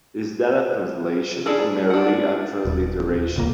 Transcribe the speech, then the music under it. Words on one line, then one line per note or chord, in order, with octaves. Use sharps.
Is that a translation, or merely a transliteration?
D4 E4 G#4 A4
D4 F#5
D#1
D#1 C#2 A#3